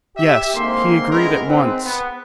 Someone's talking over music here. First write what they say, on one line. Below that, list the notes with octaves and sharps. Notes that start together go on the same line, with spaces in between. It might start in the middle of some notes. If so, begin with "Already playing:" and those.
"Yes; he agreed at once."
G4 E5
G#2 D3 A#3 C4 C6
A2 G#3 B3 C#4 E4 A#4
G#2 C4 B4
B3